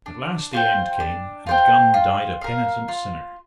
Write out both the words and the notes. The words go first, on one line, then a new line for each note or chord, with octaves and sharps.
At last the end came, and Gun died a penitent sinner.
D4
F4 C5 G5
D4
F4 C5 G5
F4
A#4 F5
F4